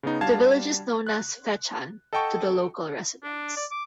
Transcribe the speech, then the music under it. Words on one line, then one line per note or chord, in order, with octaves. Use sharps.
The village is known as "Fechan" to the local residents.
C#3 B3 D#4
G3 D4 F#4 F5 A5 G#6
F#6
A4 D#5 F#5 G5 A5 C#6
D4
D5
D6